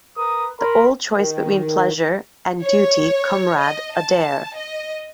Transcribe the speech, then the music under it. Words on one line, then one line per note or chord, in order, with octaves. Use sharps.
The old choice between Pleasure and Duty, Comrade Adair.
A#4 B4 D#6
A#4 B5 C6
D#3
C#5
D#5
A5
D#5